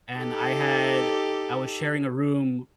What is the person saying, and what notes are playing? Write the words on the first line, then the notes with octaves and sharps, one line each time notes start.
and I had I was sharing a room
D#4 G4 A4